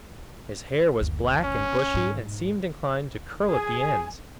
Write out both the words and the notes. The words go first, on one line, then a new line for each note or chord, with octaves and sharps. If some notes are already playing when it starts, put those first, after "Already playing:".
His hair was black and bushy and seemed inclined to curl at the ends.
F#1 D2
C#4
G#2
G#4 G#5